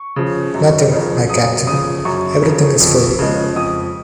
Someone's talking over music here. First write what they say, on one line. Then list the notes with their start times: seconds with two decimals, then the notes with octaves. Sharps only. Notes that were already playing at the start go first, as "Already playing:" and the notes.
Nothing, my captain, everything is full.
Already playing: C#6
0.16 C#3 F3
0.54 F#2
0.92 C#3 F3
1.30 F#2 D#6
1.67 C#3 F3 D#6
2.05 F#2 C#6
2.42 C#3 F3
2.80 F2
3.19 C#3 F3 G#3
3.56 F2 D#6